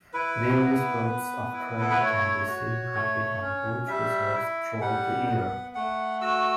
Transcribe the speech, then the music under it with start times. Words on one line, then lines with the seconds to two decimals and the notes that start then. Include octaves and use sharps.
Various birds of prey can be seen hunting on both reserves throughout the year.
0.13 E4 B4
0.60 B3
1.07 B3
1.53 E4
1.79 A4
1.90 B4
2.00 A3 C#5
2.47 F#4
2.94 A3
3.41 C#4
3.88 G3 E5
4.35 E4
4.81 G3 F#5
5.29 B3
5.75 A3 F#5
6.21 F#4 E6